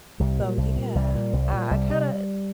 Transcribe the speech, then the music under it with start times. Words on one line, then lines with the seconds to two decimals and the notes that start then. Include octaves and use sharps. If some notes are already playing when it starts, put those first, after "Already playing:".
So, yeah, I I kinda
0.20 C2 G3
0.39 A#2
0.57 C2
0.76 A#2
0.95 C2 G3
1.15 A#2
1.33 C2
1.53 A#2
1.71 C2 G3
1.90 C3